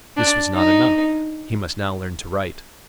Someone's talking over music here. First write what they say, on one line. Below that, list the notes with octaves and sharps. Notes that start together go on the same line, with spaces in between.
This was not enough--he must now learn to write.
D4
D#4